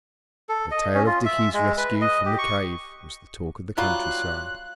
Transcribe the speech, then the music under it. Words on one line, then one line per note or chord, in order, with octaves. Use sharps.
The tale of Dickie's rescue from the cave was the talk of the countryside.
A4
D#5
C#4
F4
E5
G#3
B4
D#5
G4
C#6
F#3 G3 F4 F#6